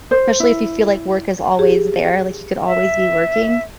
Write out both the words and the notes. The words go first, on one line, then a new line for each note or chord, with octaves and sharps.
especially if you feel like work is always there, like, you could always be working.
C5
E4
G4 G#4
E5